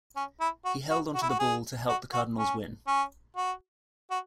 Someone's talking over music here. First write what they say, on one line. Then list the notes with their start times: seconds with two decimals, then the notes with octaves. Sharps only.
He held on to the ball to help the Cardinals win.
0.16 C#4
0.41 E4
0.65 F#4
0.90 F#4
1.15 F#4
1.22 E4
1.29 F#4
1.39 G#4
1.88 F#4
2.13 F#4
2.38 C#4
2.87 C#4
3.36 F#4
4.11 F#4